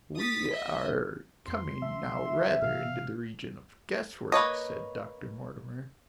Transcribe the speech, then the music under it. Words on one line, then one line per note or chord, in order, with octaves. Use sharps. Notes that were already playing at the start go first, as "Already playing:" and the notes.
"We are coming now rather into the region of guesswork," said Dr. Mortimer.
D#6 A6 B6
D#5 E5
F2 C6
C#3 F3 E5
A2 C3 E3 F5
A#3 B4 C#5 D#5